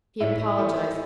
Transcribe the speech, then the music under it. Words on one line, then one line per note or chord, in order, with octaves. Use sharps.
He apologized.
A2 E4 E5
E3 A3